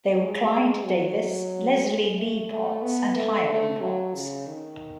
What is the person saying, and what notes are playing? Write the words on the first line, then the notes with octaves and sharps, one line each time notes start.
They were Clyde Davis, Leslie Lee Potts, and Hiram Potts.
G#3
F#3
G#3
A3
A3
B3
A3
A3
F#3
C#3
D#3